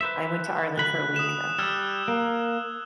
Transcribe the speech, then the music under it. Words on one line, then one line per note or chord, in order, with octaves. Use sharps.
I went to Ireland for a week, though.
B4 C5 E5
D2 B5 F#6
D#6 E7
G3 E6 F6 G#6
A#3